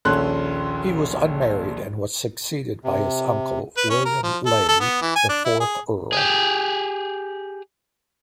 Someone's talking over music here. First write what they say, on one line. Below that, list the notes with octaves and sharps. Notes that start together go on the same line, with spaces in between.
He was unmarried and was succeeded by his uncle, William Ley, the fourth Earl.
A#1 D#2 C#4 A4 C6 F#6
C3
B4
C#4
A#4
F3
A4
A4
B3
E3
G#5
D4
E4
G#4
G4 G#4